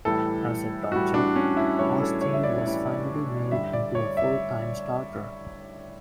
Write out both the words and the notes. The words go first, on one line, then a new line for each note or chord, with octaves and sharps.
As a Dodger, Osteen was finally made into a full-time starter.
A2 E3 G3 A4
A2 E3 G3 F#4
D4
C#4
E4
A2 E3 G3 C#5
A4
C#5
E5
D5
A2 E3 G3
G2 D3 G3 E5
D5
C#5
E5